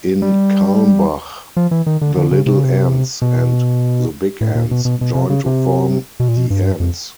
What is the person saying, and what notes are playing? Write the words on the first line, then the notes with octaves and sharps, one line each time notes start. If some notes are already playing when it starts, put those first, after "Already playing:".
In Calmbach, the Little Enz and the Big Enz join to form the Enz.
G3
F3
E3
D#3
D3
D3
C#3
C3
C#3
C3
B2
A2
A#2
B2
B2
B2
C3
C#3
C3
B2
A#2
B2
G2
F2